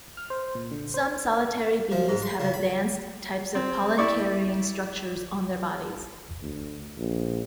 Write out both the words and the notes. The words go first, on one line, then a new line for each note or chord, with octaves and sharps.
Some solitary bees have advanced types of pollen-carrying structures on their bodies.
F6
C5
A#2
D3
C5
F3
G#2
C6
C#3
B5
C4
E4 D5 C#6
D2
A#1